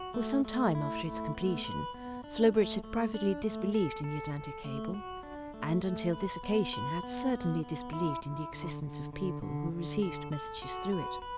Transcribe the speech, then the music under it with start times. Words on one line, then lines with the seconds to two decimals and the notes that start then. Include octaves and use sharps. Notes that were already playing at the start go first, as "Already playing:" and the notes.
For some time after its completion, Slowbridge had privately disbelieved in the Atlantic cable, and, until this occasion, had certainly disbelieved in the existence of people who received messages through it.
Already playing: F#4
0.14 A3
0.44 A3
0.75 E4
1.04 A3
1.35 B3
1.64 B4
1.94 B3
2.24 D4
2.54 A3
2.84 A3
3.14 D4
3.44 A3
3.74 A4
4.04 A4
4.34 A4
4.64 A3
4.94 F#4
5.23 D4
5.54 A3
5.84 A3
6.13 B4
6.43 B3
6.73 B4
7.03 B3
7.33 B3
7.63 B3
7.93 E4
8.23 E4
8.53 D3
8.83 D3
9.13 D3
9.42 D3
9.72 D3
10.02 A4
10.32 A4
10.62 F#4
10.92 B4
11.22 B4